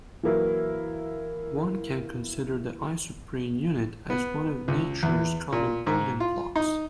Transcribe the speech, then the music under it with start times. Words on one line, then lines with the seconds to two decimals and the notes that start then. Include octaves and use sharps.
One can consider the isoprene unit as one of nature's common building blocks.
0.23 E3 F#3 A#3 E4
4.10 B3
4.68 C#2
5.03 E2
5.53 A#2
5.87 G#2
6.20 F4
6.56 D#4